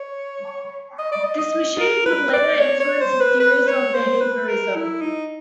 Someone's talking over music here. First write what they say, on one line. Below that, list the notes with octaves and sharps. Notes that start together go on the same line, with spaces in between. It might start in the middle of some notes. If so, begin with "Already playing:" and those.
This machine would later influence his theories on behaviorism.
Already playing: C#5
D#5
D5
D#5
D#5
A#4
B4
D5
C#5
C#5
C5
B4
B4
C#5
C5
B4
A#4
E4
D#4